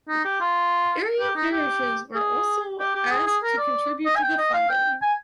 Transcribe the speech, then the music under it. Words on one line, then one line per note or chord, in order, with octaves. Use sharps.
Area parishes were also asked to contribute to the funding.
D#4
G4
F4
G4
D#4
G4
G#4
G4
G4
G#4
G#4
A#4
D5
D#5
G#5
G5
D#5
F5
G5
G#5